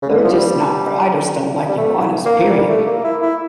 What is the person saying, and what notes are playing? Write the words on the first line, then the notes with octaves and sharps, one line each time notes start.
They're just not pr I just don't like iguanas, period.
C#3
D3
E3
F3
G3
G3
A3
A#3
G3
A3
A#3
E4
E4